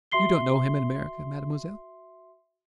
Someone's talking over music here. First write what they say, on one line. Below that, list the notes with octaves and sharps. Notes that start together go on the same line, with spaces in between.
"You don't know him in America, mademoiselle?"
F#4 E5 C6 C7 G7